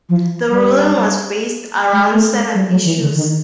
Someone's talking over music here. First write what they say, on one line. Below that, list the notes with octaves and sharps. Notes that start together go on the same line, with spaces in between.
The ruling was based around seven issues.
F3
G3
G#3
A3
G#3
G3
F#3
E3
D3
D#3